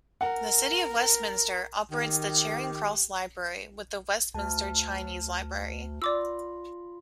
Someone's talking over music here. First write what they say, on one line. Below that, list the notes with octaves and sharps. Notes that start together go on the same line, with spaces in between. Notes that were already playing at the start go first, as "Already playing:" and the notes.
The City of Westminster operates the Charing Cross Library with the Westminster Chinese Library.
A#4 F#5
D#3 G4
D2 A5 F6
F4 D5 C6 D6 E6